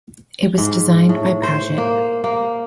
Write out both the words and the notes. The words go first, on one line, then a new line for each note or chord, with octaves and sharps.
It was designed by Padgett.
G#2
A2
C5
A#3
A#3